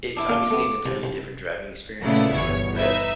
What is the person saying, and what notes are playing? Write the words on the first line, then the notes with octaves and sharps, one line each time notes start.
it's obviously an entirely different driving experience if you don't have grip,
D4 E4 D6
A#3 D4 F4
A3 B3
C2
C2
A#2 C#3 A3 B3 E4 D5
G1 E2 B2 C#5
D#4 B4 E5